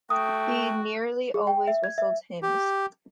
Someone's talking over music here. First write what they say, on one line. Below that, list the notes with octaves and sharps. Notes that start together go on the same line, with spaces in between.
He nearly always whistled hymns.
A3 F#4 G5 D#6
G#4
G5
E5
G#6
E5
G4